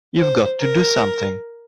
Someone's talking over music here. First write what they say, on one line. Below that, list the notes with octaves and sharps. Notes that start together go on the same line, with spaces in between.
You've got to do something!
C5
A#4